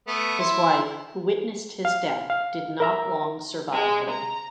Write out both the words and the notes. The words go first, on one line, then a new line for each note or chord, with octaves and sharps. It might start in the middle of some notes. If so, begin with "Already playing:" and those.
His wife, who witnessed his death, did not long survive him.
A3 B3
E4 C6
F5
F5
A#4 E5 A#5
G#3
A#5